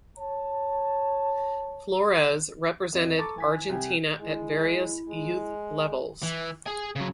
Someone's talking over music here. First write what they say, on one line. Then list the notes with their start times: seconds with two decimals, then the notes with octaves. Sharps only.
Flores represented Argentina at various youth levels.
0.17 C#5 A5
2.93 F2 C4 D#5 D#7
3.18 A4 A5 A#5 C#6 D6 A6
3.36 E3 G#5 B6
3.69 C2 G5 G#5
4.20 G#3 E4
5.08 G#3
6.23 E3
6.67 G#4 G#5
6.96 C#3 F#3